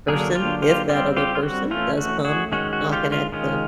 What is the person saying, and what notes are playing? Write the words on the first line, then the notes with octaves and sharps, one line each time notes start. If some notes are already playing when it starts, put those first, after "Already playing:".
person, if that other person does come knocking at the
D3 F#3 A#3 D4 G#4 A#4
F4 G4
F4 G4
G3 C4 F4 G4
F4 G4
F4
F#4
E3 A3 C#4 F4
F#4
F#4 G#4
D#3 G#3 C#4 F#4
F#4
F4 G4
F4
D#3 G#3 C#4 F4